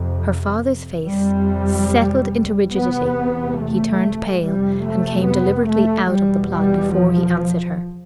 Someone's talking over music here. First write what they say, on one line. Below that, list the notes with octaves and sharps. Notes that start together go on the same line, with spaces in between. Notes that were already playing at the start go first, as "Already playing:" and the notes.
Her father's face settled into rigidity, he turned pale, and came deliberately out of the plot before he answered her.
Already playing: F2 C3
F2 C3 G3
E2 C3 B3
A3
F2 C3 G3
A3
B3
A3
E2 B2 G3
G3
F3